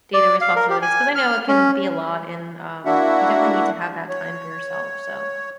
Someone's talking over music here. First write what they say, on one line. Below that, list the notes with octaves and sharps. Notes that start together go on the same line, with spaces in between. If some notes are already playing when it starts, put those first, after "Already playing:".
daily responsibilities. 'Cause I know it can be a lot, and, um, you definitely need to have that time for yourself, so
D5
F5
A#4
G4
G#5
F6
C#4
A#3 D4 E4 F#4 E5 F#5
C#5